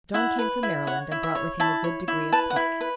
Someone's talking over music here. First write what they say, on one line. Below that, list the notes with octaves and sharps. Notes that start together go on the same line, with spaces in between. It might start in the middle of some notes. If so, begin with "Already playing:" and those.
John came from Maryland, and brought with him a good degree of pluck.
E4 F#5
B4
E4
C#5 F#5
E4
E5
C#5
E4 A5
C#5
E4
B4 A5
F#5
E4
B4